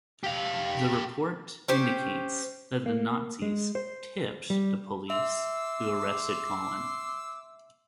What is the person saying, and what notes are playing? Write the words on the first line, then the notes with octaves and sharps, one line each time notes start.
The report indicates that the Nazis "tipped" the police who arrested Collin.
G4 F5
C#4 G4 C5
A#3
G#3
C5
G3
E5 C6 D6 E6